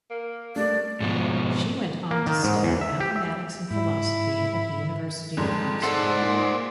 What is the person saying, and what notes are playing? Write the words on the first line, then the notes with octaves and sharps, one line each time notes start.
She went on to study Mathematics and Philosophy at the University of Oxford.
A#3
G3 A3 D5
G#2 B2 F3
A#3
D#3
G#2
E2
E5
G4
E5
G#2 E4
F2 G#2 G3
G#2 A4 C5 D5 F#5
A#2